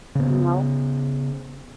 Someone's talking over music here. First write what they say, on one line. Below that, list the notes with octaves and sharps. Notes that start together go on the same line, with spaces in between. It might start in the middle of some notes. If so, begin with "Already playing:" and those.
you know?
C#3 B3